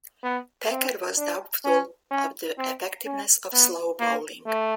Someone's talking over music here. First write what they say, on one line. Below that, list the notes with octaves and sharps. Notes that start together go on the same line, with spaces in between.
Packer was doubtful of the effectiveness of slow bowling.
B3
C4
D4
C#4
C#4
C4
C#4
B3
A#3
A3